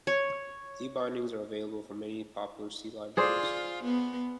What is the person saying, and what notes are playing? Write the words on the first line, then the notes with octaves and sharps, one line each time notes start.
D bindings are available for many popular C libraries.
C#5
F4 G#4 C5 D5
B3